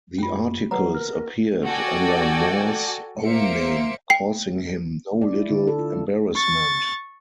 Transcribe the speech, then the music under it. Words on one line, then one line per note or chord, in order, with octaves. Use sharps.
The articles appeared under Moore's own name, causing him no little embarrassment.
F#2 F4 G5
G#4
F#3 B4 F#5 A#5
A#4
F#4 A4 D5 G5 G#5
A#3 C5 E5 F5 C#7 D7
G5 C7
D5
E4
D3
A4
F4
G#3
C#6 A6